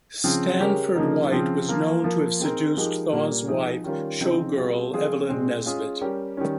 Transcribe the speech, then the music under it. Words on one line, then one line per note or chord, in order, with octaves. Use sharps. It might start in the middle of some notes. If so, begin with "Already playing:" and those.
Stanford White was known to have seduced Thaw's wife, showgirl Evelyn Nesbit.
C#3 F3 C4
C#3 G#3 C#4 G4 A#4
C#3 F3 A#3 D#4
C#3 F3 C4
F3 A#3 F4 A#4
F3 A#3 F4 A#4
G#3 C4 D#4 A#4
F3 G#3 D#4 G4 A#4
A#2 G3 A#3
F3 G#3 D#4 G#4
D#3 G3 C#4 F4 A#4
C#3 F3 C4 D#4
G3 C4 F4 G#4
F3 G#3 C4 F4 G#4
A#2 G#3 C4
G#3 C#4 F4 G#4
G3 C#4 G4 A#4
D#3 G3 C#4